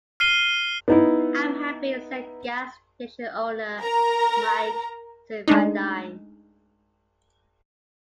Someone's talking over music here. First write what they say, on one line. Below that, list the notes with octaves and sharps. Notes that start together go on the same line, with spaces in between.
I'm happy, said gas station owner Mike Safiedine.
F6 C7 D#7 G7
B3 D#4 E4
A#4 A#5
G#3 A3 D4 D#4